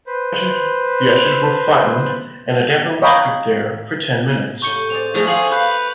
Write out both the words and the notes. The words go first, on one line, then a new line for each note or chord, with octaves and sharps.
The ashes were flattened, and the damper was cooked there for ten minutes.
B4 C5
C#5 D#5 F5 G5 A#5 B5
A2 G4 C#6 G6 C#7
C4 G#4 D5 F7
A2 F3 G#4 F7
G#4 A4 F5 F#5 C6 F#7
B4 G6